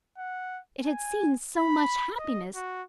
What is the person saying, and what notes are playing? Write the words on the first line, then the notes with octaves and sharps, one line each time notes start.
It had seen so much happiness.
F#5
G#5
B5
D#5
F#4